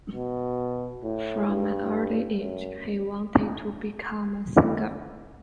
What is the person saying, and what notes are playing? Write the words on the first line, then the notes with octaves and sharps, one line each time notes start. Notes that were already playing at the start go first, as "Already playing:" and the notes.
From an early age, he wanted to become a singer.
B2
A2
G2
F#2